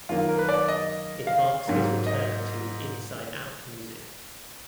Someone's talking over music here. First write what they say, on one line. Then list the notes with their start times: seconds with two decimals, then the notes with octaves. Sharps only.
It marks his return to Inside Out Music.
0.09 F#2 D#3 A#3 F4
0.29 A#4
0.38 B4
0.49 D5
0.68 D#5
1.27 F5
1.67 G#2 F#3 A#3
2.07 D#5